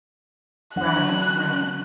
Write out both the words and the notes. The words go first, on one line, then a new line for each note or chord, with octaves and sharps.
Right, right.
F#3 D4 F#5 F#6